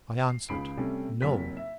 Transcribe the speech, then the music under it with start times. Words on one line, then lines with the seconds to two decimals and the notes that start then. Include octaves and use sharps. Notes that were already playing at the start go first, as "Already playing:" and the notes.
I answered, No.
0.29 C7
0.49 C#2 C#3 B5 C7 D7
0.77 C3 G3 A3 C#4
1.21 F#1 C3 F#3 B6
1.57 E5